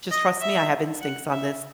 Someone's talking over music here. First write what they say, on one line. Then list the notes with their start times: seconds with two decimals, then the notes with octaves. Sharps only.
"Just trust me. I have instincts on this
0.11 D#5
0.41 E5
1.01 F#5
1.32 E5